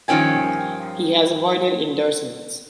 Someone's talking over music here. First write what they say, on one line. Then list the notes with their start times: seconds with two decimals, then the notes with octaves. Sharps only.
He has avoided endorsements.
0.08 G2 D#3 F3 C#4 G5 G#5